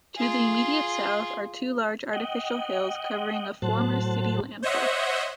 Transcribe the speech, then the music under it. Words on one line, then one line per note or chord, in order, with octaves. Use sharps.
To the immediate south are two large artificial hills covering a former city landfill.
F4 G#4
D#5 F#5 G5
A2 F#3 C5 A5 F#6
C5 C#5 D#5 E5 F#5